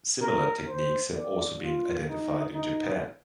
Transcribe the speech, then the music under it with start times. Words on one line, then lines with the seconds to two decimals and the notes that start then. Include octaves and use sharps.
Similar techniques have also been identified in Japan.
0.23 A#4
0.68 C5
1.15 D5
1.61 F4
2.08 D#4
2.55 D#4